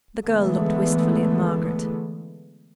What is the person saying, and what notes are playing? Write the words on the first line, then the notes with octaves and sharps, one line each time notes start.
The girl looked wistfully at Margaret.
D3 E3 G#3 A3 B3